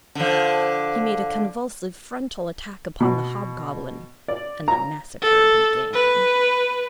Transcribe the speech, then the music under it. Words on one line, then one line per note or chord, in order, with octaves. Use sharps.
He made a convulsive frontal attack upon the hobgoblin--and the massacre began.
D3 F3
B2
D5
A#5
A4
B4